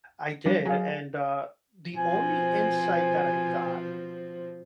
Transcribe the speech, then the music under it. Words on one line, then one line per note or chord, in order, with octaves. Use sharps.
I did and, uh, the only insight that I got
F3 G3 D4
F#3 G#4 F5
B2 F3 C4 G#5